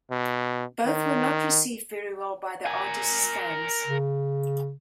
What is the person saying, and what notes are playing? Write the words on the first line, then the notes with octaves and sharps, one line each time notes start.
Both were not received very well by the artist's fans.
B2
D#3
A#4 G#5
C#3